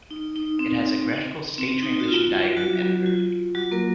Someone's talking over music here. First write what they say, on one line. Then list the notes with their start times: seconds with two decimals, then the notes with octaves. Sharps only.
It has a graphical state-transition diagram editor.
0.11 D#4
0.36 D#4
0.59 C4
1.58 C4
1.83 D#4
2.00 F#4
2.08 F4
2.57 F#3 F#4
3.06 F4
3.55 F#3 F#4
3.72 A#3 A#4